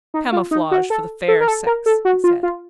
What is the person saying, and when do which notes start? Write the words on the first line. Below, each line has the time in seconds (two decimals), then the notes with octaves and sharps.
"Camouflage for the fair sex," he said.
0.14 D#4
0.32 F4
0.51 D#4
0.71 F#4
0.90 A4
1.28 A4
1.40 A#4
1.48 A4
1.67 A#4
1.86 A4
2.05 F#4
2.24 F4
2.43 F4